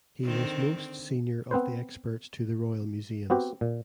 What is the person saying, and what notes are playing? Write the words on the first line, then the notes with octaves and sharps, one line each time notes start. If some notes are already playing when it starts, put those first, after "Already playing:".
He was most senior of the experts to the royal museums.
D3 D#3 C4
B3 C4 B4 C5
B3 C4 F#4 G4
A#2